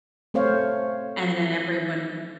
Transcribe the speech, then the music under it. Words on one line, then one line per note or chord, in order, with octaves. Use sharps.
and then everyone
A3 C4 C5 C#5 F5